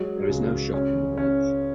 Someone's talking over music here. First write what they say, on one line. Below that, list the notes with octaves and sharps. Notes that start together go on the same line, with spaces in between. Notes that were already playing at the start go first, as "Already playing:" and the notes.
There is no shop in the village.
Already playing: F#3 G#3
C#2
C#4
C#4